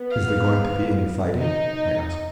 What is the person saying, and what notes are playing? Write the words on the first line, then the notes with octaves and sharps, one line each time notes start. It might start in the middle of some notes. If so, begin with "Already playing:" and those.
"Is there going to be any fighting?" I asked.
Already playing: B3
F5
D#4